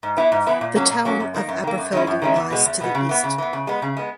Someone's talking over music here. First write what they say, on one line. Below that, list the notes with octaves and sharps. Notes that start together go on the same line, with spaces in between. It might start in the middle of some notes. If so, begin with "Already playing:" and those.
The town of Aberfeldy lies to the east.
G#2
E3 B3 E4
G#2
E3 B3 E4
A#2
F#3 A#3 C#4
A#2
F#3 A#3 C#4
F#2
D#3 A#3
F#2
D#3 A#3
F#2
D#3 G#3 C#4 E4
F#2
D#3 G#3 C#4 E4
E2
B2 G#3 B3
E2
B2 G#3 B3
C#3
E3 B3
C#3
E3 B3
C#3
G#3 B3
C#3
G#3 B3